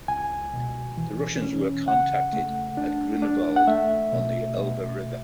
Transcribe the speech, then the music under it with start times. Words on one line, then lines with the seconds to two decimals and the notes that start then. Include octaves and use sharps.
The Russians were contacted at Grunewald on the Elbe River.
0.08 C#2 G#5
0.53 B2
0.97 E3
1.43 C#4
1.88 C#3 F#5
2.33 A3
2.77 D4
3.22 D4
3.56 F#5
3.67 A3 E5
4.13 B2
4.57 B2